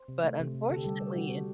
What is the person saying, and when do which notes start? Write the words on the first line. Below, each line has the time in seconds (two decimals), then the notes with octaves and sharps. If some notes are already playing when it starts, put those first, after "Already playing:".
but unfortunately in
Already playing: C5
0.08 C3
0.24 A3
0.40 C3
0.54 C3
0.70 D3 A4
0.77 G4
0.84 G3 A4
1.01 G3
1.16 G3 F#4
1.31 G3